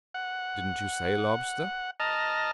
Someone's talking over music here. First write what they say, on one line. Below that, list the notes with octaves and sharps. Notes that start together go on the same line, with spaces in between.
"Didn't you say lobster?"
F#5
D#5 A5 A#5 F6